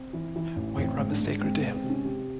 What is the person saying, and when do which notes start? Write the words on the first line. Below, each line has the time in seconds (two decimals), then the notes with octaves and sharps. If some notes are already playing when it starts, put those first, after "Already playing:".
White rum is sacred to him.
Already playing: C4
0.13 E3
0.36 E3
0.56 A1
0.78 A1 C4
0.99 G#2
1.10 D4
1.21 G#2
1.41 G#3 C4
1.57 B3
1.63 G#3
1.74 C4
1.84 C3
1.89 C#4
2.05 C3 G4